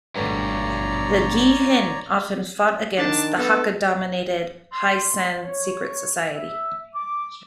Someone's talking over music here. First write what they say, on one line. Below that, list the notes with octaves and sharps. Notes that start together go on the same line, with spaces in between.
The Ghee Hin often fought against the Hakka-dominated Hai San secret society.
G#1 G2 B2 A3 B3 C#5 D5 A#5
D#3 D4 A5
B3 A4
C6
C#5
E5
D6